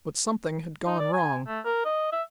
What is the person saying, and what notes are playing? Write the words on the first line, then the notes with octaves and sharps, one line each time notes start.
But something had gone wrong.
D#4
D5
G#5
A3
A#4
D#5
E5